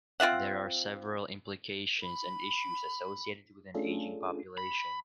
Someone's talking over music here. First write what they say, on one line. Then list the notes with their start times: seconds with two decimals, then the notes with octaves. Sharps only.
There are several implications and issues associated with an aging population.
0.20 C4 F4 E5 F#5
2.03 B5
3.74 A3 C#4 D4 F4 G#4 A4
4.58 B5